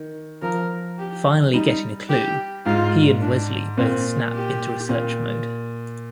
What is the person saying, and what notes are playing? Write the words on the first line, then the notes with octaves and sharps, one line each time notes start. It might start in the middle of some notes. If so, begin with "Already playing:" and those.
Finally getting a clue, he and Wesley both snap into research mode.
Already playing: D#3
F3 A#4
G4
G3 D#4
G4
G#2 F4
D4
A#2 C4
G4
A#2